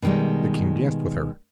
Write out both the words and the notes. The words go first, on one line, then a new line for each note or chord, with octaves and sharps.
The king danced with her.
B2 D3 D#3 G3 G#3